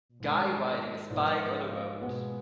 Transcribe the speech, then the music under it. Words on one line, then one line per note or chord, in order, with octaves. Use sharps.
Guy riding his bike on a road.
G#2 D#3 G#3
G#2 F3 B3 D5
D#5
D#5
F5
B2 G#3 B3 F#5